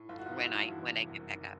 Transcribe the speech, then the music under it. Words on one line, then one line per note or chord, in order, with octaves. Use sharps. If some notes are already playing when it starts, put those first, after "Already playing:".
when I when I get back up.
Already playing: A2
G1 F4
F#4
D#3 D#4 F4
E4 F#4
G2
E2
C3
F#1
D#3